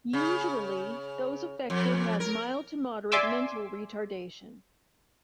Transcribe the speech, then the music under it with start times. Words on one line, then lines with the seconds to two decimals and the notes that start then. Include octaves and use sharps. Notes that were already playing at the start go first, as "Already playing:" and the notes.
Usually those affected have mild to moderate mental retardation.
0.13 C#3
1.70 F2
2.20 A#4
3.12 D5 E5 G#5 C6 D6 E6